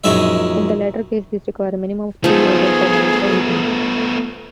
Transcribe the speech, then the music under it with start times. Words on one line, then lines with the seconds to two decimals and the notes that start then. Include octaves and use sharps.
In the latter case, this requires a minimum of three years of permanent residence.
0.04 A#1 F#2 D#3 G#3 E5
2.24 F3 A3 B3 D#4 G#4